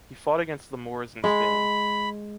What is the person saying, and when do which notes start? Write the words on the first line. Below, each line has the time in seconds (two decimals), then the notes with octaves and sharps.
He fought against the Moors in Spain.
1.24 G#3 G#4 B5